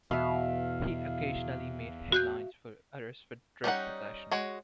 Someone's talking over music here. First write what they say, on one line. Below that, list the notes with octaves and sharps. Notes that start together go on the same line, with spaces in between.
He occasionally made headlines for arrests for drug possession.
E2 B2 E5 F5
F#4 F#6 G6
G3 C#4 D#4 F#5
G#3 F#4 C#5